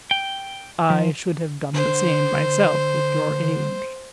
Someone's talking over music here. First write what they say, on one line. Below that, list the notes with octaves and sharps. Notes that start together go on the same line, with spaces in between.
I should have done the same myself at your age.
G5
F3
D3 C5